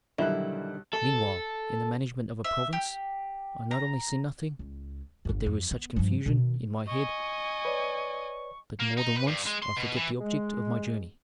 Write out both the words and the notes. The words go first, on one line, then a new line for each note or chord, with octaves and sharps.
Meanwhile in the management of a province I not only see nothing, but there is such confusion in my head that more than once I forget the object of my journey.
B1 D3 D#3 G3 E4 F#6
A4
E5
G4
A#5
C#2
G1 F2
F2
B3
G2 F3
B2 D#3
D#5 G#5 C#6
B4 C#5 D5
A#3
D#4
B4
G2
G#3
C6
B2
E3
G#3